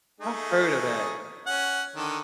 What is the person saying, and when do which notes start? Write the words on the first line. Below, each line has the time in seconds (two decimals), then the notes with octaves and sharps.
I heard of that
0.21 A3 D#4 G#4
1.47 C#4 F#5
1.96 D3 D#3 A4